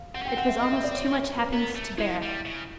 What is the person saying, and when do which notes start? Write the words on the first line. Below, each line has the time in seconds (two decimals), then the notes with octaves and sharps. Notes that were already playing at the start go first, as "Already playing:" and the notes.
It was almost too much happiness to bear.
Already playing: F5
0.14 C4 F#5
0.22 C#4
0.25 G5
0.29 C4
0.37 F#5
0.49 E5
0.61 D#5
0.72 E5
0.84 D5
0.95 C#5
1.06 C#5
1.22 C#5
1.37 B4
1.52 B3 A#4
1.76 A3
1.98 G#3 E4
2.22 G3
2.45 C#3